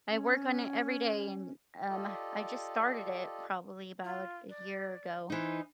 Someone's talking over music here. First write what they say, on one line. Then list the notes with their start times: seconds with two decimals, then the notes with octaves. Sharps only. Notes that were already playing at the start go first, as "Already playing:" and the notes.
I work on it every day, and, um, I just started it, probably about a year ago,
0.09 C#4
1.89 F4 G4 A4 D5 D#5
4.04 F4
4.49 D5
5.30 E3 D#4 C5